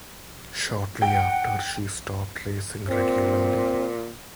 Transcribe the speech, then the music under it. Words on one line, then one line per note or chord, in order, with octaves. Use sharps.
Shortly after she stopped racing regularly.
F#5 G5
A#2 C4